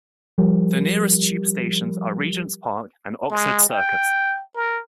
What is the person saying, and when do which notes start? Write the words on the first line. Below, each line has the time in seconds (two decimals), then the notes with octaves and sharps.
The nearest Tube stations are Regent's Park and Oxford Circus.
0.38 F3 G3 G4 A#4
3.31 G#3
3.69 G5
4.55 A#4